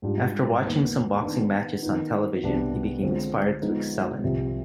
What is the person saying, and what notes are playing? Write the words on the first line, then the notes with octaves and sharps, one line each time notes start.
After watching some boxing matches on television, he became inspired to excel in it.
G#2 G3 D4 F4
D#2 D#3 B3
D#3 B3 D4
D#3 B3 D#4
C2 B2 B3 D4
D3 G#3 C4 F4
F3 G#3 B3 D#4
C2 C3 F3